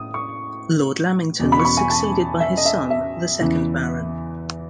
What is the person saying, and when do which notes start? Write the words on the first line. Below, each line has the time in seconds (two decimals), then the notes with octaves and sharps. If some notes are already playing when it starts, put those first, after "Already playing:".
Lord Lamington was succeeded by his son, the second Baron.
Already playing: A2 D#6
0.14 C#6
1.40 E2 B2
1.52 B5
1.59 C#6
1.65 B5
1.77 G#5
1.90 A5
2.40 E5
2.57 D#5
2.65 E5
2.90 E5
3.41 E2 C#3 E3